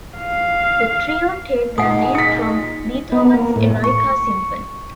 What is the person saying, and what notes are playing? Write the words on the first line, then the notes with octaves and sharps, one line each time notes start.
The trio take their name from Beethoven's Eroica Symphony.
F5
A#2 G#3 D#4 F#5 G#5 D#6
D#6 B6 C#7
B3
A#3
A2
C#6